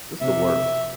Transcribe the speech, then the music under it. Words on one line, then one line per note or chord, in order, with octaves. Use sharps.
It's the worst.
C3 E5